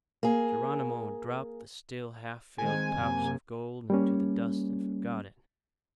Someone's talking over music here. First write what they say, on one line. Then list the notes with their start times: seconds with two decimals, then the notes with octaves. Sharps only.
Geronimo dropped the still half-filled pouch of gold into the dust and forgot it.
0.23 A#3 G#4
2.58 D#3 G#3 C4 G#5
2.95 F#2 C3 A#3
3.90 G3 A#3 C#4